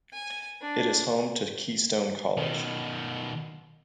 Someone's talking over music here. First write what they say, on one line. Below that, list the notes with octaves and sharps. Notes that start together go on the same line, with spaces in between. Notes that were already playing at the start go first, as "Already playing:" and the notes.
It is home to Keystone College.
G#5
D4
B2 D#3